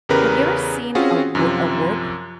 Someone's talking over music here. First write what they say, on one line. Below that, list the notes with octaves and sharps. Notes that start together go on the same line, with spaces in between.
have you ever seen a W a Whoop?
E2 C#3 G4 A#4 B4
C4 C#4 F4 F#4 G#4
F#2 C3 F3